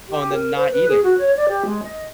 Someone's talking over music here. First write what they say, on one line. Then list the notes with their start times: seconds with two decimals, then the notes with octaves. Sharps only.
Oh, and then not eating.
0.09 G4
0.33 A#4
0.56 C5
0.71 B4
0.89 G#4
1.04 F#4
1.18 C#5
1.37 D5
1.49 G4
1.66 G#3
1.83 D#5